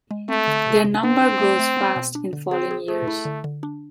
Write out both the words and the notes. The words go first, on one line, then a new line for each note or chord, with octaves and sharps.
Their number grows fast in the following years.
G#3
A3 C4
D3
C3
C3
C4 D4
D4
A3
A3
B3
B2
D4
D3
C4 G#4
G#4
A3 G#4
E4
D3
D3
D4